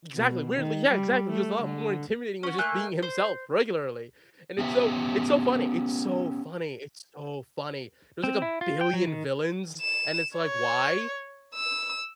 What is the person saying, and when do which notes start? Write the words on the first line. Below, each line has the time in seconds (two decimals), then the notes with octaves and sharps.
Exactly, weirdly Yeah, exactly, he was a lot more intimidating with just being himself regularly, and it's so it's so funny. It's so funny. It's so funny, there was, like, a billion villains, and it's like, "Why?"
0.15 B2
0.56 D#3
0.90 G3
1.28 A3
1.62 D3
2.43 C#4 F#4
2.58 A3 A#3 G#5 F#6
3.03 C5
4.59 B3 C#4 G4 E5
8.24 C4
8.42 E4
8.61 F4
8.81 G5
8.93 F#3
9.07 D#3
9.81 E7
10.37 C#5
11.54 E6